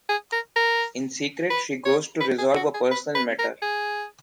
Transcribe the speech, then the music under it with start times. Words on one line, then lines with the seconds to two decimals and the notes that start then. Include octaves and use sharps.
In secret, she goes to resolve a personal matter.
0.09 G#4
0.32 A#4
0.56 A#4
1.50 B4
1.85 C#5
2.21 B4
2.38 G#4
2.56 F#4
2.74 G#4
2.91 B4
3.15 B4
3.39 A#4
3.62 G#4